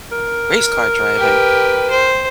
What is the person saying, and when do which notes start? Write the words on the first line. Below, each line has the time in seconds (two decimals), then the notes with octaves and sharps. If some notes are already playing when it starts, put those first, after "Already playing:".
race car driving
0.12 A#4
1.17 G4 B4
1.90 C5